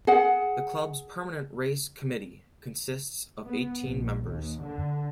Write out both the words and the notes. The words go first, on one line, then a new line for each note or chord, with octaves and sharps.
The club's Permanent Race Committee consists of eighteen members.
G#4 F#5
B3
A#1
D#2
D3